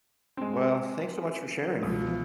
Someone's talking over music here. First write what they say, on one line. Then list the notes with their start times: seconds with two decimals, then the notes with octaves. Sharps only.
Well, thanks so much for sharing.
0.37 G#3 C4
1.83 C#2 B2 E3 F3 F4